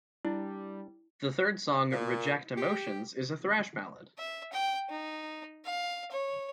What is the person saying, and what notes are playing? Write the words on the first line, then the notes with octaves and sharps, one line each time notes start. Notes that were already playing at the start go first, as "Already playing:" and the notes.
The third song "Reject Emotions" is a thrash ballad.
G3 D4 E4
A#2
G4
E5
G5
D#4
F5
C#5